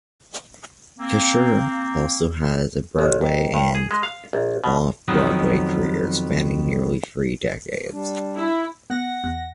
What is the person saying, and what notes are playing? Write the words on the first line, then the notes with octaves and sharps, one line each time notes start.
Fisher also has a Broadway and off-Broadway career spanning nearly three decades.
A#3 C4
A1
D#2
G2
G#4
G#3
F5
A#1
B2
F2 D#3 F#3 B3 D#5
G3 D4
E4
B3 F#5 A#6
E2 F#6